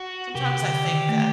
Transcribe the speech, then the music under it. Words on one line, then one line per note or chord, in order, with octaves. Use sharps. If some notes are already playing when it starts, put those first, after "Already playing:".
Sometimes, I think that
Already playing: F#4
C3 G4
D3
D#3
A3